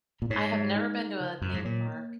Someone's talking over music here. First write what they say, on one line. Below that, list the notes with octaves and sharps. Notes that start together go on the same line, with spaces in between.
I have never been to a theme park.
A#2
G#2 C#5
G#3
D#4
A#4
C#3
F#2 F#3
G#2
A#2 C#5
A#3